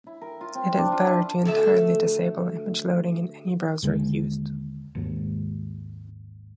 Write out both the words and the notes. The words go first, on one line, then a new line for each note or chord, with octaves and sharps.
It is better to entirely disable image loading in any browser used.
E4
A#4
F4
C4
D4
F4
E4
D2 A3 E5
D#2 D3 G#3
G#1 D#2 G#2